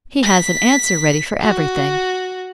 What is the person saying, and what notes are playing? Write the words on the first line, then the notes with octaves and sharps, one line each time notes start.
He has an answer ready for everything.
B6
F#4